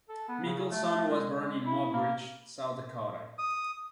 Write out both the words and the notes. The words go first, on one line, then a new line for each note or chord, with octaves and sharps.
Mickelson was born in Mobridge, South Dakota.
A4
B3
C#3
C#3
A3
A3
G#3
G#3
E4
A#3
D#6